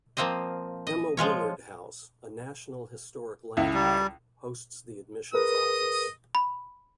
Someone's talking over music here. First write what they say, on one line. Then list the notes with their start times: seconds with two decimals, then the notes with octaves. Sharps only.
Emma Willard House, a National Historic Landmark, hosts the admissions office.
0.17 F3 A#3 C4 C5 D#5
0.87 D#5
1.17 F3 G#3 F4 C#5
3.57 C#2 E4
3.74 G3
5.34 G#4 A#4 B4 D#5 D#6
6.35 B5